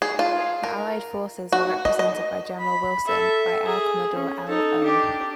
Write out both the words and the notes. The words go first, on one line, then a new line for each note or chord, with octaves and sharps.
The Allied forces were represented by General Wilson, by Air Commodore L. O.
G#4
F4
A#4
F#4
D#5
D#5
B5
A4 E5
G#4
C#4
D#4 A4
D4 G4